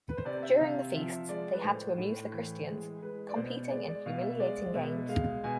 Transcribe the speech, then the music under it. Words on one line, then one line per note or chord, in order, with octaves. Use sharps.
During the feasts they had to amuse the Christians, competing in humiliating games.
B4
C5
C3 D5
E5
C3 F5
F3 E5
G#3 D5
B4
A2 C5
A2
E3
G#3
G#3 B4
D5
B2 C5
G#3 D5
D5
B2 F5
E5
G#3 D5
B2 E5
G#3 F5
B2 G#5